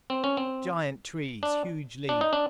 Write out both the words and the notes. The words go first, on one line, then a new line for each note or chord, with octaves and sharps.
Giant trees, huge-leaved.
C4
C#4
C4
D4
D4
D#4
D4